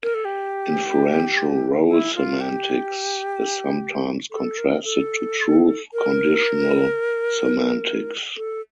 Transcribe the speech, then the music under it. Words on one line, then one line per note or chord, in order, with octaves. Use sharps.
Inferential role semantics is sometimes contrasted to truth-conditional semantics.
A#4
A4
G4
E4
F4
G4
A4
A#4
A4
A#4
A4